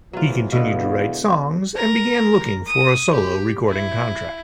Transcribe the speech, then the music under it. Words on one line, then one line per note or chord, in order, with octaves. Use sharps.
He continued to write songs and began looking for a solo recording contract.
E2 G#2 E3 F#3 F4
E2 B2 D3 B3 F5
A#4
D#6
G4
E4